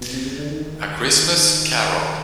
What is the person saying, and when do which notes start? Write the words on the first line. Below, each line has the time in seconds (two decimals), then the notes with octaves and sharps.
A Christmas Carol.
0.01 B2
0.13 C3
0.25 C#3
0.38 D3
0.50 D#3